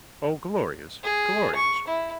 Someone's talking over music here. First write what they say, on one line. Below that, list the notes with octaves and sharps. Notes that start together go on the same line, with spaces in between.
Oh, glorious, glorious!
G#4
C#6
E4